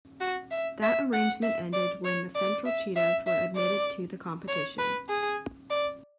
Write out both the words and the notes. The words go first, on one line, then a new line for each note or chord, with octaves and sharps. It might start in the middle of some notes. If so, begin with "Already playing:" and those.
That arrangement ended when the Central Cheetahs were admitted to the competition.
F#4
E5
E5
F#5
E5
D5
C#5
D5
E5
E5
E5
D5
C#5
B4
G#4
D5